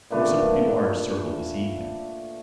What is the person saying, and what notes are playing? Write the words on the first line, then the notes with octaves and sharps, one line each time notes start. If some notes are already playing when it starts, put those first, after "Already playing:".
There was a pretty large circle this evening.
A#2 A3 D4 B4